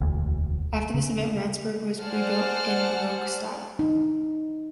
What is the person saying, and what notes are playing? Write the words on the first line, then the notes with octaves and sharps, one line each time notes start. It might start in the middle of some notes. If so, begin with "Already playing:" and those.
After this event Ratzeburg was rebuilt in baroque style.
E1 D2
C#3
C5 D5 F#5 G#5 A5 F6
D#4